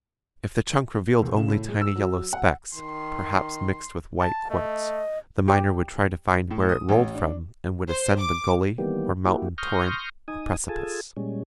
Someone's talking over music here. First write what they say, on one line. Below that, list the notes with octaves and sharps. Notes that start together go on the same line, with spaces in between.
If the chunk revealed only tiny yellow specks, perhaps mixed with white quartz, the miner would try to find where it rolled from and would ascend the gully, or mountain torrent, or precipice.
E1
C#3
A2
G#3
E6
F#3
F#5
D#3 C6
A5
A3 D#5
G4
A2
D#6
A1
D4
C5
D6
D#3 E3 G3 A#3 B3 G4
A#3 E4 F#4 G4
C6 C#6 D#6 F6 G6 A#6
D#4 G#5 D#6
F4 G#4 A4 G#5 A5
A#2 G3 G#3 C#4